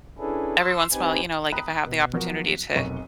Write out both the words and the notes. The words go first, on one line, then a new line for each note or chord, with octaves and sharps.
every once in while, know, like if I have the opportunity to,
C#4 D4 E4 G#4 A4 B4
C6 E6
C4 D#4 G4 B4 G#5
G5 A#5 B5 D#6 F#6
B2
F3 F#3 B3 F#4 A#4
B6
F1 B1 A#4 C#6 D#7